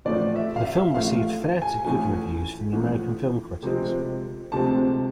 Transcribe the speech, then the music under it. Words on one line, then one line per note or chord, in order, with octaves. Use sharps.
The film received fair to good reviews from American film critics.
A1 A2 F3 A3 D5
E5
F5
E5
A1 A2 F3 A3 F5
G#5
A1 A2 F3 G#5
A1 A2 F3
D2 C3 F3 G#3 C4
D2 C3 F3 G#3 C4 A5